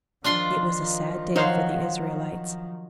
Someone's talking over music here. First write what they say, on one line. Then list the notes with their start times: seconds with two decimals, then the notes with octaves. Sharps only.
It was a sad day for the Israelites.
0.24 D#3 F3 D4 F4 C6
1.36 F#3 D#4 C5 F5